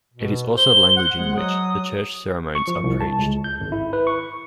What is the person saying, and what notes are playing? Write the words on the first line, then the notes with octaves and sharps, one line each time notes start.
It is also the language in which the church sermons are preached.
B2
C5 G7
F#5
G#3
F#3 D#6
C#6
F3
C2
A5
C#2
G6
G#1
E4
B4
C#6